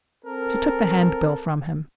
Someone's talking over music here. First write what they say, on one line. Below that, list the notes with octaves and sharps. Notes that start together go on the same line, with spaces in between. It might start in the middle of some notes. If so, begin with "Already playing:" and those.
She took the handbill from him.
C4 A4 A#4